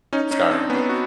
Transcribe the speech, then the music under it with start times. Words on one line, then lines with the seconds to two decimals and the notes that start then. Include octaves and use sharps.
Skyrim, but,
0.13 C#4 D#4
0.31 C#4 D#4
0.50 C4 D4
0.70 B3 C#4
0.89 F#4